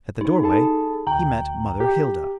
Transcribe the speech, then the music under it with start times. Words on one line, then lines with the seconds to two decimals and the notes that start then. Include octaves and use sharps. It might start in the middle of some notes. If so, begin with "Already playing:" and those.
At the doorway he met Mother Hilda.
0.21 D#4
0.43 G#4 A4 A5
1.07 D2 G5 A#5
1.80 G4